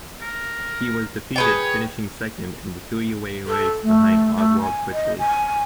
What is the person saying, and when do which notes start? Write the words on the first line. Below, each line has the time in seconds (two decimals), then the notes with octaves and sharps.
He was defeated finishing second in the three way race behind Oswald Critchley.
0.22 A#4
1.36 G#4 B4 C#5 G5
3.47 A4
3.83 A3
4.36 A3
4.61 G#5
4.93 D#5
5.19 G#5